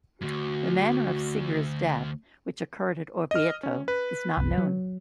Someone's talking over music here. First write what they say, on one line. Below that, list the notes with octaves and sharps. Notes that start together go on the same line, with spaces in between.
The manner of Siger's death, which occurred at Orvieto, is not known.
D2 G2 F#4
D#5 F6
C#4
B4
F#1 C2
F#3